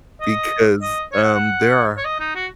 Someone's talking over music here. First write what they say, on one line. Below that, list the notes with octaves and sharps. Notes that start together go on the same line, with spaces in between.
Because, um, there are
D#5
D#5
C#5
F#5
F#5
C#5
D#5
D#4
F#4